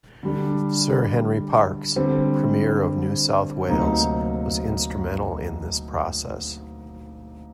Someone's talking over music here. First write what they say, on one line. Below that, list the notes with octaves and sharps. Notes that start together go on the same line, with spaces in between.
Sir Henry Parkes, Premier of New South Wales, was instrumental in this process.
D3 G3 D4
D3 G3 C4
D2 C3 F#3 A#3 D#4